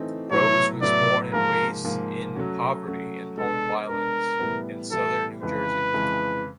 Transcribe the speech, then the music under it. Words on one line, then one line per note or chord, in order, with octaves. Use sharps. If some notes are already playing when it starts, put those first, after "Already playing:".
Rose was born and raised in poverty and home violence in Southern New Jersey.
Already playing: E3 A3 C4 D#4
A2 F#3 B3 E4 C#5
A2 F#3 B3 E4 D5
G#2 F3 A#3 A#4
G#2 F3 A#3
F#3 A3 C#4 F#4
F#3 A3 C#4 F#4
G#3 B3 D4 A4
G#3 B3 D4 A#4
A2 E3 G3 B3
A2 E3 G3 B3 A4
F2 C#3 E3 G#3 B4
F2 C#3 E3 G#3